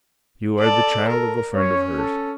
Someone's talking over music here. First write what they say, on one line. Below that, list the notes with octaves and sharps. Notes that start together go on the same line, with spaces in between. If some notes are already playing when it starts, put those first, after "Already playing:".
You are the child of a friend of hers.
A4 D5 A5
A#4
C#4 C#5
A4